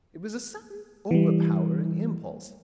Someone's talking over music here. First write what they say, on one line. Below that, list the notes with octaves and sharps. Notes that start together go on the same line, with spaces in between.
It was a sudden overpowering impulse.
E3 G3